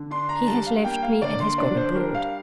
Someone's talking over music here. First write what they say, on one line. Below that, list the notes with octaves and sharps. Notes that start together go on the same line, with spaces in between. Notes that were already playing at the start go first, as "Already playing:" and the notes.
"He has left me, and has gone abroad."
Already playing: D3
D4 C6
A#5
G3 A5
F5
A#3 G5
F5
D3 D5
C6
D4 D5
C5
G3 A#4
F5